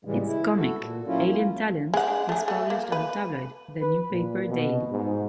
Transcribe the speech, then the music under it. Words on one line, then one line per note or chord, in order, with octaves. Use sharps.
Its comic, "Alien Talent", is published on tabloid "The New Paper" daily.
A2 C#3 E3 G3 G#3
E4
F#4 A4
A#2
F#3 A#3 C#4 E4 F4
G#3 F#5
D4
A3 G#4
A3 F#4
A#3
B4
B4
A#2
B2
G#2